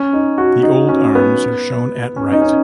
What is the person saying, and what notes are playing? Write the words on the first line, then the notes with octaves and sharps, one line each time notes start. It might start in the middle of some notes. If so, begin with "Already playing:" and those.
The old arms are shown at right.
Already playing: C#4
D#4
F#4
D#4
C#4
B3
C#4
D#4
C#4